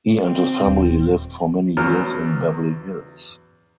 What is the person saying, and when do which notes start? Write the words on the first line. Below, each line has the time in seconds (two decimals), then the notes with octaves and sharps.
He and his family lived for many years in Beverly Hills.
0.22 C4
0.65 D#1
1.77 E2 F#3 C#4 F6